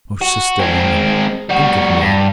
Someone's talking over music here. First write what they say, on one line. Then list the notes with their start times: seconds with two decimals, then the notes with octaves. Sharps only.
O sister-woman, think of me.
0.21 F#4
0.60 G#3 C4
1.49 G3 F#4
2.01 G2